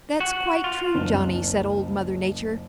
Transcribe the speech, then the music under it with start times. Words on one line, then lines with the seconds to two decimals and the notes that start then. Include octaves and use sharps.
"That's quite true, Johnny," said Old Mother Nature.
0.21 F#4
0.64 F4
0.95 F#1 C#2